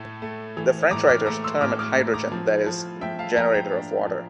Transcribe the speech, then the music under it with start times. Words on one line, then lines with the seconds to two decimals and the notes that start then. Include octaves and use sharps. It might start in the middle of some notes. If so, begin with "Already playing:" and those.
The French writers term it hydrogen, that is, generator of water.
Already playing: A2 A3
0.22 A3
0.57 E3
0.91 A2 A#5 D6
1.09 D6 F6
1.26 A3 A#5 D6
1.44 C6 E6
1.61 A2 D6 F6
1.79 D6 F6
1.96 A2
2.14 A#5 D6
2.32 F3
2.66 F3
3.01 F3 E5 G5
3.19 F5 A5
3.36 F3 G5 A#5
3.54 G5 A#5
3.72 D4
4.07 F3